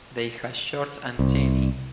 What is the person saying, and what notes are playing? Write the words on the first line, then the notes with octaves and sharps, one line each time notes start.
They has short antennae.
C2